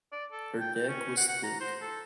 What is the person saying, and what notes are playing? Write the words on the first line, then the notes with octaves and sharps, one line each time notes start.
Her deck was thick.
D5
A4
G5
G5
C#4
F#5
F#5
A#5
C5
A4